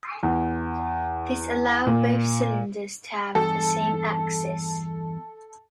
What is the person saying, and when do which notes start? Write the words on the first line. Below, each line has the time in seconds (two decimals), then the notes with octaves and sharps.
This allowed both cylinders to have the same axis.
0.23 E2
1.87 A#2
3.35 E2 G2 A4